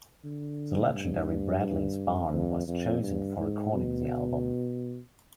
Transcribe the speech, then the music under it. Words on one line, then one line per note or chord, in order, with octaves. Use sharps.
The legendary Bradley's Barn was chosen for recording the album.
D3
G2
F2
F2
G2
G#2
B2